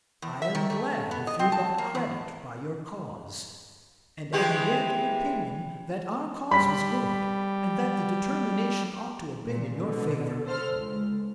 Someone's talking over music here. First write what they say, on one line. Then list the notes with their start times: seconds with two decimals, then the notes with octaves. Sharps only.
'I am glad if you got credit by your cause, and am yet of opinion, that our cause was good, and that the determination ought to have been in your favour.
0.22 E2
0.42 E5
0.55 D#3
0.70 A3
1.11 B3
1.27 D#5
1.39 C4
1.52 A5
1.78 A#3
1.95 E2
4.33 E3 G#3 G4
6.51 G3 B5 B6
9.45 A#2
9.77 B2 D3
10.44 D3 A4 C5 F6
10.74 C#2